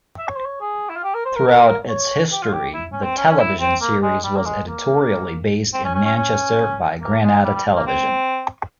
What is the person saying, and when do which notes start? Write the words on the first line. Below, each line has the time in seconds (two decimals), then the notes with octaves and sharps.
Throughout its history, the television series was editorially based in Manchester by Granada Television.
0.18 E5
0.27 C#5
0.36 C5
0.45 C#5
0.61 G#4
0.89 E4
0.96 F4
1.04 G4
1.14 A#4
1.25 C5
1.36 A#4
1.47 A#4
1.89 C#5
2.32 G4
2.42 F4
2.53 G4
2.74 E4
2.92 C#4
3.03 C4
3.17 C#4
3.30 C#4
3.39 E4
3.60 C4
3.81 A#3
4.03 G#3
4.24 G3
4.37 A#3
4.46 G#3
4.67 A#3
5.73 C4
5.85 C#4
5.95 C#4
6.05 C#4
6.16 C#4
7.02 A#3
7.23 G#3
7.44 G3
7.55 G3
7.76 A#3
7.87 C4